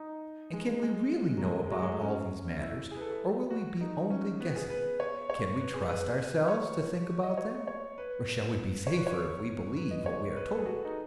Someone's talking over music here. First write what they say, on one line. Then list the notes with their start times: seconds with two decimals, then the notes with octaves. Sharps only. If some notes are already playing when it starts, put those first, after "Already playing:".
And can we really know about all these matters, or will we be only guessing? Can we trust ourselves to think about them, or shall we be safer if we believe what we are told?
Already playing: D#4
0.53 G#3
0.83 G#3
1.37 F#3
1.43 G#3
1.67 G#3
1.71 F#3
1.82 G#3
1.92 A3
2.02 C#4
2.62 E4
2.91 G#4
2.96 B4
3.01 A4
3.11 G#4
3.50 F#4
3.81 D#4
4.10 C#4
4.41 B3
4.56 G#4
4.70 B4
5.00 C#5
5.30 C#5
5.60 B4
5.74 G#4
5.89 B4
6.19 B4
6.48 C#5
7.23 D#5
7.38 C#5
7.68 C#5
7.98 B4
8.87 C#5
8.97 B4
9.07 C#5
9.76 B4
9.91 D#5
10.06 C#5
10.36 B4
10.52 A4
10.58 G#4
10.66 F#4
10.85 D#4